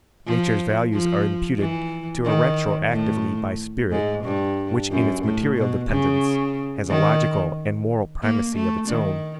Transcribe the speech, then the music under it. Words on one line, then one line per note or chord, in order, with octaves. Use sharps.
Nature's values are imputed to her retroactively by spirit, which in its material dependence has a logical and moral primacy of its own.
F3
F3
E3
D#3
A2
G#2
G2
F#2
A2
B2
C#3
D#3
A#3
A3
D#3